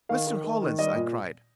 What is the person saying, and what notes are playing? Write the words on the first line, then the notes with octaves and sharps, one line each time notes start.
"Mr. Hollins!" I cried.
D#3 F5
D#3
D#3
D#3
G3 D#5
A#2